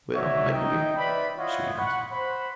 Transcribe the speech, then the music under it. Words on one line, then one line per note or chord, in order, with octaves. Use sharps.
"Well, my dear?" she asked.
D#4 F#4 C#5 D5 E5
D#4 D#5 G5
B4 C5 D5 E5 B5
E4 F4 C#5 D#5 F5 F#5
F#5 B5 C#6
C5 F#5 B5